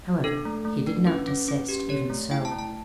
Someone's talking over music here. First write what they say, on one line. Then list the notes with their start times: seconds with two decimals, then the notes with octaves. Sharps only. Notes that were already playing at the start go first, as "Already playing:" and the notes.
However, he did not desist even so.
0.24 D4 A4
0.45 A3
0.65 A3
0.87 D4
1.07 C#4 B4
1.27 C#4
1.48 C#4
1.69 G4
1.89 G4 C#5
2.10 A3
2.31 E4 G5
2.45 A5
2.51 A3
2.59 A5